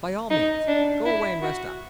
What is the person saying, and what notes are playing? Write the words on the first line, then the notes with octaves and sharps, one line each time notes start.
By all means, go away and rest up.
D#4
D4
E4
F#4